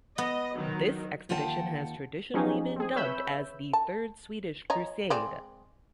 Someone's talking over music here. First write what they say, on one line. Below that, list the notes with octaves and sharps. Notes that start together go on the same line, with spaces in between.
This expedition has traditionally been dubbed as the Third Swedish Crusade.
B3 D#5
D#3 F#3
D#2 F4 F#5 G5 A5
F3 F#3 C#4 D#4 G4 G#4
C4 G#4
B4 C#5 E5 B5 E6 G6
A5
C#5 D#5 A#5
G#3 C4 D5